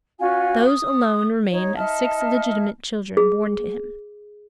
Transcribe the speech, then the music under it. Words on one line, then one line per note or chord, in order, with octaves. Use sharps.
Those alone remained of six legitimate children born to him.
C#4 F4 F#4 G#5
D#6
D#4 C#5
D#4 E5 A5 F6
G#4